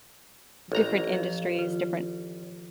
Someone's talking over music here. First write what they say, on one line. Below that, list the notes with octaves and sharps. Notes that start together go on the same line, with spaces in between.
different industries, different
A1 A4 A#5
F3
D#3 F4